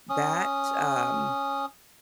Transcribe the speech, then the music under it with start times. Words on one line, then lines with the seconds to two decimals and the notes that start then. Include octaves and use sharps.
that, um,
0.09 C#4 D#6